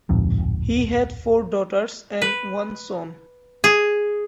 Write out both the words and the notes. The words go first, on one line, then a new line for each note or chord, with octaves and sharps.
He had four daughters and one son.
D1 A#1 F2 G#2
B4
G#4